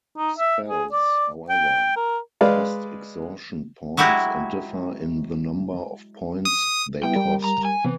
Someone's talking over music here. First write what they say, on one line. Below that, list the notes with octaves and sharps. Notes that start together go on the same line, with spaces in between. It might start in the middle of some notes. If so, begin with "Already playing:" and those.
Spells, however, cost exhaustion points and differ in the number of points they cost.
D#4
E5
G#4
D5
G5
A#4
G#3 B4 D5 F5
F#3 G#3 E4 F#4 G4
D#6
G3 B3 E4 G5
G3 A#4
A#5
G#5
C3 E3 B3 C4